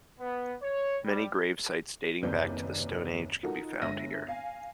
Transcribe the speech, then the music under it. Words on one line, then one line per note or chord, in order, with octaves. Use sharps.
Many grave sites dating back to the Stone Age can be found here.
B3
C#5
G3
F#1 D#2 C3 B4 D5 G6
D#4 F4 F#4 A4 A#4
G1 D3 G#3 E5 A#6 D#7
F5 G#5